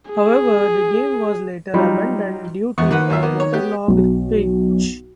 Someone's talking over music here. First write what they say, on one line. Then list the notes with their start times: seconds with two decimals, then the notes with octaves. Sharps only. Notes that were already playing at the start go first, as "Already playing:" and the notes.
However, the game was later abandoned due to a waterlogged pitch.
0.11 G#4
1.74 F#3 G3 D#4 F4
2.78 A#1 E2 B3 C#6
2.91 D#3 A#3 D#4 B4 F#5
3.10 D#2 F4 E5
3.23 A#3 B3
3.40 C#5
3.53 B3 G4 C#5
3.88 B1